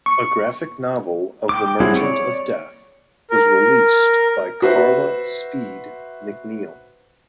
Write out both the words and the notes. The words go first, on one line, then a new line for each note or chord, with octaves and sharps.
A graphic novel of the Merchant of Death was released by Carla Speed McNeil.
C#6
G5 D6
F#3 G3 C4 E4 G#4
C#5 D5
A#4
F#4 B4 C5 E5